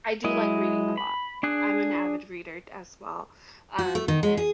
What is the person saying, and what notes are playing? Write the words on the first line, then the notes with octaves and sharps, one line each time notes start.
I do like reading a lot. I'm an avid reader d as well, um, but
F#3 G#3 E4 D#5
B5
D4 G#4 F#6
F#4
A3
D#3
G#3
G#4